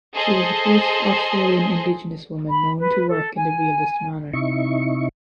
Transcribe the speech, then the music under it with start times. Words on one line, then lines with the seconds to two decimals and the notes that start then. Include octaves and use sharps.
She was the first Australian indigenous woman known to work in the realist manner.
0.14 G#4 A4 C5 D#5 C6
2.48 B5
2.78 B4
3.07 A4
3.36 G#5
4.33 C3 D#4 E4 C#6